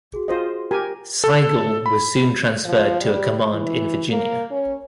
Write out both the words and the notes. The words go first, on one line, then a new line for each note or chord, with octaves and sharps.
Sigel was soon transferred to a command in Virginia.
F#4 G#4
F4 C5 D#5
G4 A#4 G#5
A4
B5
F3
G3
E3
A#3
C#4